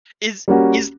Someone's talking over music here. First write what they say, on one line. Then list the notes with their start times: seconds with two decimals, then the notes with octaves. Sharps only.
Is is
0.48 G3 A#3 C#4 F#4